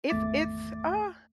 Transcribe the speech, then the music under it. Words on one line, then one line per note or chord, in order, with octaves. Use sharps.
it's it's, uh
G#1 E2 A3 E5 D6 A6